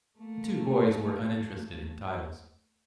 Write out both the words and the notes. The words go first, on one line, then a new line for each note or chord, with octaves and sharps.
The two boys were uninterested in titles.
A3 A#3